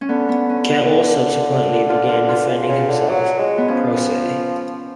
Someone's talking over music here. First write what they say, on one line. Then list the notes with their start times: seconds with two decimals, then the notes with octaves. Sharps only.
Cantwell subsequently began defending himself "pro se".
0.01 C#4
0.09 D3 B3
0.29 B3
0.49 C#4
1.89 F4
2.09 F4
2.29 F4
2.49 C#3
2.69 C#3
2.89 D3
3.09 F#3
3.39 G#3
3.58 B3
3.68 F3 C#4